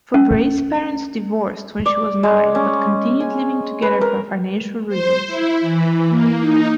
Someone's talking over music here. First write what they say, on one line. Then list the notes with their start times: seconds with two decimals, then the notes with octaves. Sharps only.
Fabray's parents divorced when she was nine, but continued living together for financial reasons.
0.14 C#4
1.86 D5
2.23 G#3
2.55 C#4
3.20 G#5
3.82 B4
4.01 A#4
4.88 C5
5.27 E4
5.61 E3
6.09 A#3
6.40 D#4